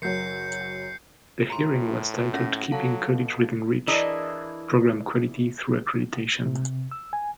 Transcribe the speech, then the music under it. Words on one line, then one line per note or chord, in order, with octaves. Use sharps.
The hearing was titled Keeping College Within Reach: Program Quality through Accreditation.
F#1 F#3 G6 C7 C#7
A2 A#5 C6
C#4 F#5 A#6
F#3 A4 F5 A5
B2
E3 D4 E4 G#4 A#4 D#5
C3
E6
G#5